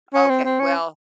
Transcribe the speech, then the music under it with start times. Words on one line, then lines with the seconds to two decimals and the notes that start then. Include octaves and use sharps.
Okay. Well,
0.14 C#4
0.30 C4
0.45 C4
0.60 C#4